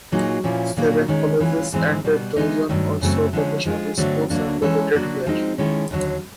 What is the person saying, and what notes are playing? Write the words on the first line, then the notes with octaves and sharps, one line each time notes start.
Seven colleges and a dozen or so vocational schools are located there.
A#2 F#3 A#3 D#4 G#4
A#2 F3 A#3 C#4 E4
A#2 F#3 A#3 D4
D#3 G#3 C#4
E3 G#3 C#4 F4
G#2 E3 G#3 C4
B2 G3 B3
E3 G#3 B3 D#4
G2 D#3 F#3 A3
F#2 C#3 F#3 A3 C4
D3 F3 G#3 C#4
F3 G#3 C4 F4 G#4
G2 D3 F#3 A3 C4
D2 D3 F#3 A#3 D4
E3 G#3 C#4 E4 A4
F#3 A#3 D4 F#4
F3 G#3 C4 D#4
D#3 G#3 C#4 E4 A4
D#2 D3 F#3